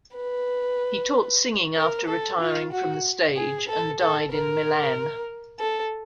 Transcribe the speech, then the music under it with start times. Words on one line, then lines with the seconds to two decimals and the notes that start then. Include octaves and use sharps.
He taught singing after retiring from the stage and died in Milan.
0.17 B4
1.76 A#4
2.08 A4
2.41 F4
2.72 F#4
3.37 G#4
3.68 A4
4.00 A4
4.32 A#4
5.60 A4